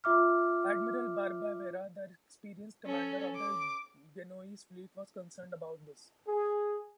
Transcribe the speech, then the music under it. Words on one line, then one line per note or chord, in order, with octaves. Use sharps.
Admiral Barbavera, the experienced commander of the Genoese fleet, was concerned about this.
F4 E5 D6 F6
C#4 A4
D6
G#4